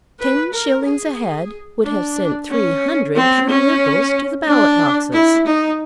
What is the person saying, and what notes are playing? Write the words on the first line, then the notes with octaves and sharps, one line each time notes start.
Ten shillings a head would have sent three hundred true Liberals to the ballot-boxes!
B4
A#4
G#4
D4
C#4
C4
C#4
D4
E4
D#4